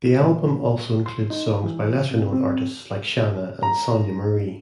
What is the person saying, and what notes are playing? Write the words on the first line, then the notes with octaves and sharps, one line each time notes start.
The album also includes songs by lesser-known artists like Shanna and Sonja Marie.
A#2
C6
D#4
E3
C3
C4
A#5